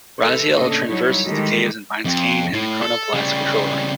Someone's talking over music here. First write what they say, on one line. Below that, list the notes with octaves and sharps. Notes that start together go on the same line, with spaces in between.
Raziel traverses the caves and finds Kain in the Chronoplast's control room.
E3 G#3 A4
A2 C#3 A#3 D4 A4 D#5
F#3 G3 D#4 E4 A4 C#5
D#3 E3 G#3 D#4 G4 A4
F2
A2
A4
C#3 G3